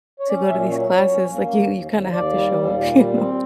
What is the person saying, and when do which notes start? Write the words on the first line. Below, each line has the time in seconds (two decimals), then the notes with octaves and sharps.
to go to these classes. Like, you you kinda have to show up, you know?
0.20 C#5
0.29 C#4 D5
0.50 A#2 E5
0.70 F#3 C#5
0.90 F#3 C#5
1.11 C#4
1.31 A#3
1.51 D#2
1.72 D#2
1.92 D#2
2.12 D#2 D5
2.33 G3
2.53 D#2
2.73 A#2
2.94 G3
3.14 C4